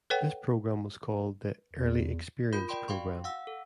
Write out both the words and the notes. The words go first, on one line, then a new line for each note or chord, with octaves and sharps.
This program was called the "Early Experience Program".
A4 B4 C#5 F#5 G5
E2
F4 A#4 B5 G6
D5 G5 B5 C6 D7
F#4 F5 G5 C6 C#6
F5 F#5 E6
A4